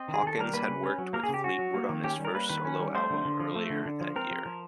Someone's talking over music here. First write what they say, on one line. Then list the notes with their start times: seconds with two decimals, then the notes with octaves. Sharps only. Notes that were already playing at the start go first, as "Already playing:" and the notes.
Hawkins had worked with Fleetwood on his first solo album earlier that year.
Already playing: C4 D#5
0.08 D#3
0.14 G#4
0.23 D#3 A4
0.38 G3 A#4
0.53 A#3 B4
0.69 C#3
0.84 C#4
0.98 F#3
1.13 A#3 A#4
1.24 G#4
1.29 C#3
1.34 G4
1.44 C#4 F#4
1.59 F#3
1.74 A#3
1.89 D#3
2.04 C#4 G4
2.19 G3
2.25 A#4
2.34 A#3 B4
2.49 D#3 B4
2.65 C#4
2.80 G3
2.95 A3 C5
3.10 D3
3.25 D3
3.40 F3
3.56 A3
3.70 D3
3.85 D3
4.01 F3
4.16 C4 A#4
4.31 F3
4.46 F3